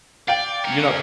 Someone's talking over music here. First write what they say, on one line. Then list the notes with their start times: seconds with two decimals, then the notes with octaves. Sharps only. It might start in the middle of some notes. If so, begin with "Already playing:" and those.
you know
0.28 D5 F5 G5 D7
0.65 C#4 A#4